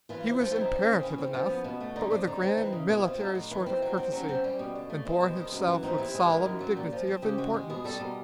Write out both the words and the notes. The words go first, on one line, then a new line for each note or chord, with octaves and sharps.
He was imperative enough, but with a grand military sort of courtesy, and bore himself with solemn dignity of importance.
E3 F4
F4
C4 E4
F3 F4
E4
C4 D#4
F3 D4
C#3 C#4
C4
E3 C#4
C4 C#4
F3
B3
B2
A3
D3 D#4
F2 D4
D3 D#4
C4
E3
C#3
B2 E4
C4 F4
F#3 D#4
A2
E3
C4
F#3
C4
F#3 C#4
C4
G3
B2
D3
A3
G#3 C4
B2
D#3
F#2
E3
C4 D#4
C3 E4
G#3
D#3
F#2
F#3 F4
G4
A#2
F3
C4
C#3 G4
G#3 F#4
G#3 G4
B2 G#4
G3 A4
B2 A#4